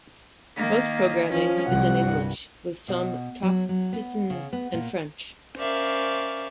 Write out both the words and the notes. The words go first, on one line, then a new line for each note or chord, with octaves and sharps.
Most programming is in English, with some in Tok Pisin and French.
D#3 A#3
F3 C#4
C2 F3 F#5
G2
B2
F#3
F#3
B3
C#3
B3
A#2
C#4 A#4 C5 D5 E5 F5